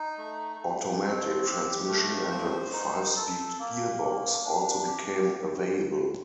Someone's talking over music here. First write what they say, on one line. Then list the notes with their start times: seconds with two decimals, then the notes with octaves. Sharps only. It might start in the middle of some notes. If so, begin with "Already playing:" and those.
Automatic transmission and a five-speed gearbox also became available.
Already playing: D#4
0.18 A3
0.60 A3
1.02 C4
1.45 G4
1.87 A3
2.31 C5
2.73 D#4
3.16 A4
3.59 A#3
4.02 A#3
4.44 D4
4.87 G4